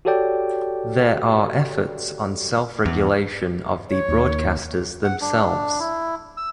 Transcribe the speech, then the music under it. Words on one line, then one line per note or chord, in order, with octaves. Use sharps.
There are efforts on self-regulation of the broadcasters themselves.
F#4 G4 A4 C#5 D5 G5
E2
C#5
D#2
F#5
D4
E4
E6